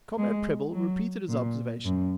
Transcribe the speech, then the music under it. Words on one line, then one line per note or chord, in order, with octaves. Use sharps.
Comrade Prebble repeated his observation.
G#3
F#3
A#2
F#2